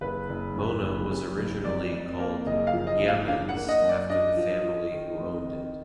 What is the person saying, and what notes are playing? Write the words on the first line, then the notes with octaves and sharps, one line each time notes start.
Mona was originally called Yeamans after the family who owned it.
F#1 B4
F#1
F#2
F#1
F#2
F#1
F2 D5
F2
A#3
F#1 D#5
F5
F3
D#5
F#1
F5
D4 F5
F#5
A#3
D#5
F#2
D5
D4 D#5
F3
F3
D#3
F2
D#3